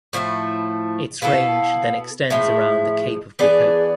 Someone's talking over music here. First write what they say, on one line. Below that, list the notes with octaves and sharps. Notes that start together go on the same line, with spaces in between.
Its range then extends around the Cape of Good Hope.
A2 F3 A3 E4
B2 B3 E4 A4 F5
A2 F3 G#3 E5
E3 B3 D4 G#4 D5